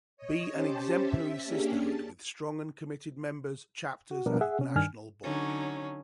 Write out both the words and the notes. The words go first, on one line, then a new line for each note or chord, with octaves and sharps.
Be an exemplary sisterhood with strong and committed members, chapters and national board.
C#5 D#5
C#4 G4 C5 A5
E5 B6
A#3 C#4 D4 G4 G#4
A5
F#4
B2 F3 G3 B3 D4 A#4
G#4 E5 F#5
C3 C#4
G2 D#3 D4 G#5 F6
D3 F#3 C#4 D#4